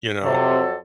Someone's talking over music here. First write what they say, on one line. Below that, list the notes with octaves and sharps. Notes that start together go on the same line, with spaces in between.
you know,
F2 C3 F#3 A4